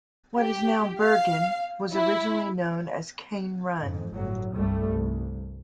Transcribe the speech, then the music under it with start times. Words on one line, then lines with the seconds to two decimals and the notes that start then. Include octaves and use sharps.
What is now Burgin was originally known as Cane Run.
0.37 G4
1.01 F5
1.93 E4
3.78 F2 G#2
4.13 G1 A2 F#3
4.53 G1 C2 G2 G3 A3
4.90 C2